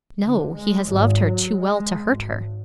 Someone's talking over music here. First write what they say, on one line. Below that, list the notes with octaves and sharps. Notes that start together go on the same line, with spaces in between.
'No, he has loved her too well to hurt her.'
D3
G#3
G#1
F#3
G#3
G#1